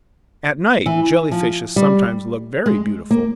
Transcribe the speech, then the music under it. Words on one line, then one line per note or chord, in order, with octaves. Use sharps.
At night Jelly-fishes sometimes look very beautiful.
E3
F3
G3
G#3
A#3